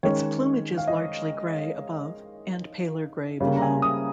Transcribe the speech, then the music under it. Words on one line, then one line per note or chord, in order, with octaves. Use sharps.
Its plumage is largely grey above, and paler grey below.
D#3 G#3 C#4 C#5
F5
D#5
C#3 G3 A#3 C#4
A#5
G#5
D#6